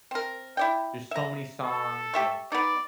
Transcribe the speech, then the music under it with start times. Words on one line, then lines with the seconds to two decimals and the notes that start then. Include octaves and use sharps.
there's so many songs, and
0.11 C4 A#4
0.57 E4 D5 G5
1.11 E5 A#5
1.63 A4
2.14 G4 E5 C#6
2.52 B3 D#4 D5